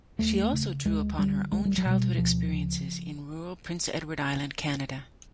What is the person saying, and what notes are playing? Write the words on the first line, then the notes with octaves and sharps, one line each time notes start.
She also drew upon her own childhood experiences in rural Prince Edward Island, Canada.
D#2 A3
C#3
D2 G#3
D3 G3
C2 G#3
G3
F#3
B2
G3
D2 F3
C#3